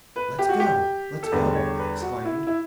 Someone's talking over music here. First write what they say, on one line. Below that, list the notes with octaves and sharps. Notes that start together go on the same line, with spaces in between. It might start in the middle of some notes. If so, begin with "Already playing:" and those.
"Let's go, let's go!" I exclaimed.
B4
G4
F#4
G4
A4
E2 D3 G3 B4
C#5
B4
F#4
E4
E4